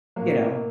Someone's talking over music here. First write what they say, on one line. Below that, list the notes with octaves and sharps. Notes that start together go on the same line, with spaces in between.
You know?
A2 F#3 A#3
A#3